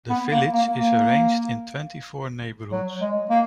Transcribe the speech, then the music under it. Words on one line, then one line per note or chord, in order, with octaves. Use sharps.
The village is arranged in twenty four neighbourhoods.
B3
A#3
A#3
A#3
F#3
G#3
A#3